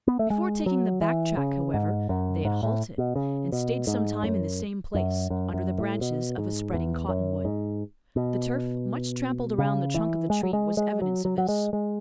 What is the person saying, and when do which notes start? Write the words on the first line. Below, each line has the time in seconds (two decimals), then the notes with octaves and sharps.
Before taking the back track, however, they had halted, and stayed some time in the same place--under the branches of a spreading cottonwood. The turf, much trampled around the trunk of the tree, was evidence of this.
0.07 B3
0.19 A3
0.30 G#3
0.66 F#3
1.01 E3
1.37 C#3
1.74 G#2
2.09 F#2
2.45 G#2
2.63 A2
2.98 B2
3.16 C#3
3.52 B2
3.87 G#2
4.23 F#2
4.95 F#2
5.30 F#2
5.53 F#2
5.78 A2
6.01 B2
6.38 G#2
6.73 E2
7.08 F#2
7.45 G#2
8.16 B2
9.59 C#3
9.94 E3
10.30 G#3
10.43 F#3
10.53 G#3
10.77 G#3
11.02 F#3
11.25 F#3
11.38 F#3
11.48 G#3
11.73 G#3